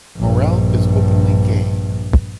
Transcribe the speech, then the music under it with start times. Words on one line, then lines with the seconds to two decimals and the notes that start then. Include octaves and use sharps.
Morel is openly gay.
0.17 A#1 G2